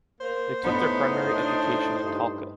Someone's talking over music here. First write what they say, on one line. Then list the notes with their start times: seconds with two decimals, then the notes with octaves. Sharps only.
They took their primary education in Talca.
0.21 A#3 C5
0.64 A2 B3 D#4
1.33 D4
2.02 G2